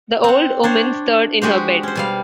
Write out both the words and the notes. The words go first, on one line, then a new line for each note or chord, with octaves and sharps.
The old woman stirred in her bed.
C4 F#5
D4 C5 C#5
G#3 F#4 G4 C5
C#4 C5
B2 G3 F5